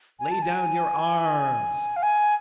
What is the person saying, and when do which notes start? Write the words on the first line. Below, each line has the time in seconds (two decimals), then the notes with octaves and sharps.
"Lay down your arms!"
0.20 G#5
0.31 A5
0.42 G#5
1.96 F5
2.03 G#5